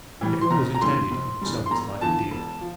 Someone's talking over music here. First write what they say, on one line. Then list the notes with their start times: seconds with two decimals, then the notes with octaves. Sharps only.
If ill was intended, he would sell his life dear.
0.21 A2 E3 G3
0.41 C6
0.51 F1 A#5
0.75 A#5
0.81 E2 D3 G3 C6
1.11 F1
1.41 E2 D3 G3
1.66 C6
1.71 E1 A#5
2.01 E2 D3 F3 A5
2.31 E1
2.61 F3